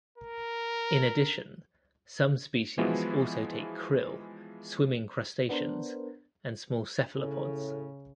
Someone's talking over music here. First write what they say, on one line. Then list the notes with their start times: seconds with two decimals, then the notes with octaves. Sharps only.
In addition, some species also take krill, swimming crustaceans, and small cephalopods.
0.18 A#4
2.78 E3 F3 G#3 B3 E4 F#4
5.49 B3 D4 A#4 C5
7.16 A2 C#3